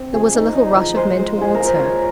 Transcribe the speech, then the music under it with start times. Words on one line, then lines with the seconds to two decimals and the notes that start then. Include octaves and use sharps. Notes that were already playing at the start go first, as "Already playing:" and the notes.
There was a little rush of men towards her.
Already playing: C4
0.14 F3 G#4
0.35 D#4
0.55 D#4
0.76 F3
0.96 G#3 C5
1.18 G#3
1.38 F4 G#4
1.54 A#4
1.60 F4
1.67 C5
1.80 G#3 C#5